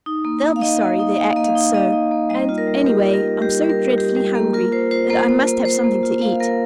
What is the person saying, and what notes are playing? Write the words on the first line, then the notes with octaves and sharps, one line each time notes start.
They'll be sorry they acted so, and, any way, I'm so dreadfully hungry that I must have something to eat!
D#4
A#3
A#3
F5
D#4 D#5
A#3
D#4
A#3 F5
A#3 D#5
F5
D#4
D#4 D#5
D#4
A#3
G3 D#5
F4
A#4
G3
A#4
G3 G4
F4
A#4
G3
G3 G4
G3
A#4
G3
G3 G4
G3
A#3
F4 A#4
F4 C5
F4 C5
A#3 C5
A#3
A#3
A#3 C5
A#3
F4
A#3 F5
A#3 A#4